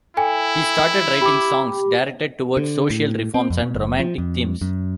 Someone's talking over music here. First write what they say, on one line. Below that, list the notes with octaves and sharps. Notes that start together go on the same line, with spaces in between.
He started writing songs directed towards social reforms and romantic themes.
E4 A4 G5 G#5
G4 B5 D6
D3
A2
C4
F2
B2
F#1
F3
F2
F#2